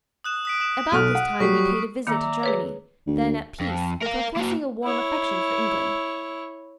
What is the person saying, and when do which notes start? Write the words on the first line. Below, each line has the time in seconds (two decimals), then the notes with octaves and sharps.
About this time he paid a visit to Germany, then at peace and professing a warm affection for England.
0.24 D#6 F#6 E7
0.45 D#6 B6 D7
0.60 D#6 E7
0.92 B1 A4 F6 D#7
1.15 F#5
1.40 F#3 G3 G4 C#6 B6 C7
2.07 D#3 A#3 D5 E5 A#5
2.43 G#4 B4 C#5
3.07 D2
3.60 F2
4.02 A#4 F5
4.36 A#3 F#4
4.84 E4 C#5